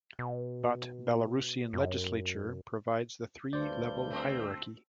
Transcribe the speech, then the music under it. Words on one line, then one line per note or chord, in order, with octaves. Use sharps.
But Belarusian legislature provides the three-level hierarchy.
B2
F#2
D2 G2 C5 D5 G6
A3 C4